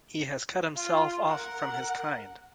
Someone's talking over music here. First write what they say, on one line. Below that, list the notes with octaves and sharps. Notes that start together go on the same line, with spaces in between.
He has cut himself off from his kind.
F4
A#4 F#5